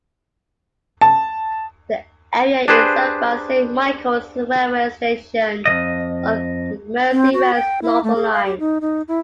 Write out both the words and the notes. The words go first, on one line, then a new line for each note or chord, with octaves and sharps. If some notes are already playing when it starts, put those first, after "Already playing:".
The area is served by Saint Michaels railway station on Merseyrail's Northern Line.
A5
D4 G4 G#4 B4 C5
F2 E3 D#5
C4
F#4
G5
E4
A3
G#4
F5
G4
D#4
D#4
E4